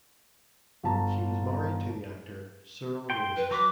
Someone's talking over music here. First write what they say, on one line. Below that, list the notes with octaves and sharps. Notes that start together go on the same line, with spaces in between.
She was married to the actor Cyril Raymond.
G1 A5 A#5
G5 C6
B4
F#3 B4 D6